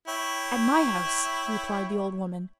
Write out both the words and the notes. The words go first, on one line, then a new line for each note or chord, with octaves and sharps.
"At my house," replied the old woman.
E4 C#5 G5